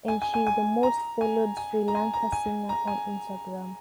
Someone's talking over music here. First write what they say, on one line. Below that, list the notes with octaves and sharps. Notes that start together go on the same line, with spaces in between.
And she is the most followed Sri Lanka singer on Instagram.
G#5
G#5
G#5
G#5
A#5
G#5
G#5
A#5
G#5
A#5
G#5
A#5
G#5